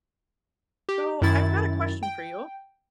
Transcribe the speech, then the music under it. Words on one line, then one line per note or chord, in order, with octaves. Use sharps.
So, I've got a question for you.
G4
F#2 D#3 E4 A6
G5